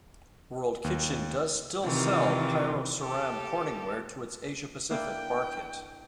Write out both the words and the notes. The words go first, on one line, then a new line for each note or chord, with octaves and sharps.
World Kitchen does still sell Pyroceram Corning Ware to its Asia-Pacific market.
D#2
C3 D#3 E3 F4
G4 A4
A#3 D4 E4 G5